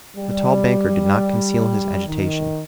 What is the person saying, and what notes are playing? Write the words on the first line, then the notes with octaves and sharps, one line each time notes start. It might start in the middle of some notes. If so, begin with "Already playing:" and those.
The tall banker did not conceal his agitation.
G3
D#3